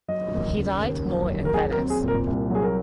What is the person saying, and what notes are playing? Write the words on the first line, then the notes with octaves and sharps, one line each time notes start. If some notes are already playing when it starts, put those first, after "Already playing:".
He died poor in Venice.
F#3 D#5
D#2
C#3
D#2
F#3
D#2
A#4
F#3 G#4
A#4
C4
G#4
A#2
A#4
C2
F#3 G#4
A#4